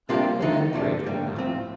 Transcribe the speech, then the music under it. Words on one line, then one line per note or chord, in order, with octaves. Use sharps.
"I can win that at bridge in an hour."
C3 G3 A#3 D4 F4
D2 D3 A3 D#4
D2 C3 F3 A3 D4
D3 G3 A#3
A2 F3 C4 F4